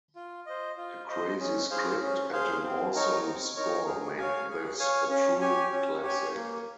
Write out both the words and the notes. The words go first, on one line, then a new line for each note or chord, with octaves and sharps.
A crazy script and an awesome score make this a true classic.
F4
C5 D#5
F4
C5 D#5
C#4
G#4 C5 F5
C#4
G#4 C5 F5
C4
D#4 A#4 C#5
C4
D#4 A#4 C#5
G#4
C#5 F5 G#5
G#4
C#5 F5 G#5
C#4
G4 C#5 G#5
C#4
G4 C#5 G#5
A#3